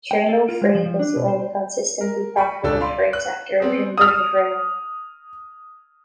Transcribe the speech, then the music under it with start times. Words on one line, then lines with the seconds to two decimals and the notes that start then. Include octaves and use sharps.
Trainload Freight was the only consistently profitable freight sector within British Rail.
0.11 G5
0.29 A4
0.48 F4
0.61 G#3
0.75 F3
0.86 F3
0.99 D4
1.16 B2
1.28 C5
2.01 A#4
2.37 B5 C#6
2.63 D#1 C#2 D4 G4 A4
2.80 D5 F5 B5 C6
3.13 F#6
3.60 B3 C4 G#4
3.98 D#6 F6